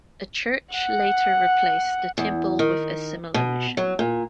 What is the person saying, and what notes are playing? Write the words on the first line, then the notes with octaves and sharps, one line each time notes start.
A church later replaced the temple with a similar mission.
F#5
E2
D#3
B2
F#3
A#2